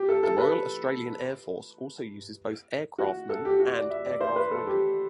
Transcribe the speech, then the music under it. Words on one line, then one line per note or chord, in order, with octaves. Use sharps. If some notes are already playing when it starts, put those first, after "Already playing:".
The Royal Australian Air Force also uses both aircraftman and aircraftwoman.
Already playing: G4
A4
A4
B4
F#4
A4
G4
F#4
D5
E5
D5
C5
B4
A4
G4